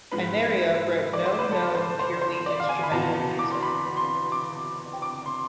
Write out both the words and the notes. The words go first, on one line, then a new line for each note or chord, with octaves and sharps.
Anerio wrote no known purely instrumental music.
G#2 F3 G#3 B4
D5
C5
B4
A4
C5
C5
C5
D5
F5
G#5
B5
E2 B2 B3 F4 A5
D6
C6
B5
C6
D6
D6
C6